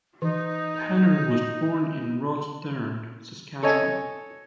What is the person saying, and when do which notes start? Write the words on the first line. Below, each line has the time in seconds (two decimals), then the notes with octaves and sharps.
Penner was born in Rosthern, Saskatchewan.
0.22 E3 D#4
3.63 A4 C#5 D#5 G#5